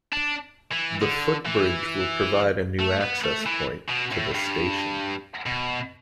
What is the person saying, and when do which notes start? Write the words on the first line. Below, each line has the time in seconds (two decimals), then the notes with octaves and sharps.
The footbridge will provide a new access point to the station.
0.13 D4
0.72 E3
1.02 D3
1.46 E3
2.80 A3
3.01 B3
3.24 A3
3.46 E3
3.90 B2
4.12 A2
4.35 G2
5.46 B2